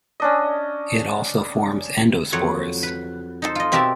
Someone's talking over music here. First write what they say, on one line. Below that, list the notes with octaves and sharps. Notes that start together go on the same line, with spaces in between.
It also forms endospores.
C#4 D4 D#5
F2 F#3 C#5 F#5
B4
D#4 A4 C5
F4 D#5
B2 C4 G4 A#4 E5 A5